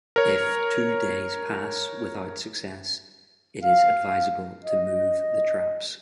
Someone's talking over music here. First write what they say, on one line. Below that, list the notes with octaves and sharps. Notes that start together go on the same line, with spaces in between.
If two days pass without success, it is advisable to move the traps.
A#4 C#5
F5
D#5